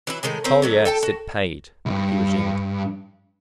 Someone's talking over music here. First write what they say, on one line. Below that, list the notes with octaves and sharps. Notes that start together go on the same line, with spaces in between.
"Oh yes, it paid," he resumed.
E3 F#3 E4
A2 D#3 G#3 G#4
C4 C#4 A#4
D3 F#3 A3
A4 G5 A5
F#4
C2 G2